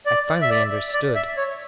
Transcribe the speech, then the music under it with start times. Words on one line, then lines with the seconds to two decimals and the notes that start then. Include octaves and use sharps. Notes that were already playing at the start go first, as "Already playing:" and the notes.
I finally understood!
0.06 D5
0.42 E5
0.50 D5
0.93 D5
1.15 E5
1.37 C#5